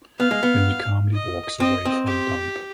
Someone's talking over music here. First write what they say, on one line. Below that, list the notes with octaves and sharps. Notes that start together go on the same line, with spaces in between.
Then he calmly walks away from dump.
B3 F5
G#3
B3
D#5
C4 D#5
C4
G4